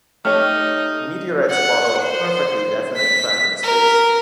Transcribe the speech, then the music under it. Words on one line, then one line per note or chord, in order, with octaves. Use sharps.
Meteorites follow a perfectly definite track in space.
A3 D#4 G4 C#5 F6
F#5
C5
B6
A#4